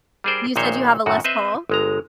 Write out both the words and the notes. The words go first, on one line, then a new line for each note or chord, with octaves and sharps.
You said you have a Les Paul?
G3 D4 G#4 A#4 C5 D5
A#1 A#2 D#3 D#4 C5 C#5
F#2 A2 D#3 F#4
C4 B4 C5 D#5 E5
G1 G#3 A#5